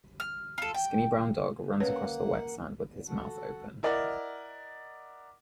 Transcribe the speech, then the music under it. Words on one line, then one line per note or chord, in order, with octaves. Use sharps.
A skinny brown dog runs across the wet sand with his mouth open.
F6
F4 A4
G5
A#3 C#4 B4 C#5 F#5
E2
F#4 A4 F#5
E4 A#4 D5 D#5 F#5